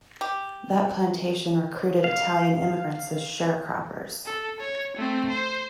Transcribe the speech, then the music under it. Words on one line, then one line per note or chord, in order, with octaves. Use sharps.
That plantation recruited Italian immigrants as sharecroppers.
G4
F5
A4
C#5
A3 C4
C5